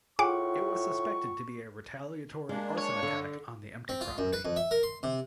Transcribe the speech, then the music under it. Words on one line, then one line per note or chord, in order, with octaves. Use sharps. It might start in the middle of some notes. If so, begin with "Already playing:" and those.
It was suspected to be a retaliatory arson attack on the empty property.
A2 F4 G#4 F#5 G5 C#6 D6
G#3 A#3 D4
C#5
D3
C4
F4
F#2
B4
F2
E5
A#4
C6
C3